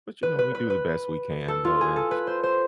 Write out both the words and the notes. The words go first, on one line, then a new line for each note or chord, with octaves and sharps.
But, you know, we do the best we can, though, and
B4
B4
B4
B4
A4
F4
G#4
A4
B4
C5
C5